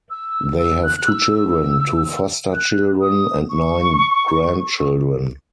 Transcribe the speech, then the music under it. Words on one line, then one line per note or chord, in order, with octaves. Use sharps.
They have two children, two foster children, and nine grandchildren.
E6
E6
F#6
F#6
E6
E6
F#6
D#6
C#6